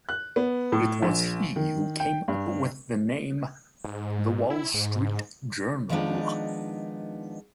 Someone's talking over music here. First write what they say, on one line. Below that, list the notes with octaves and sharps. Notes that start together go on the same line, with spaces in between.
It was he who came up with the name "The Wall Street Journal".
F#6
B3
A2
A#1
D#3
G5
G2
G#2
E4
G#2
D#3 F3 G#3 B3 D4 D#4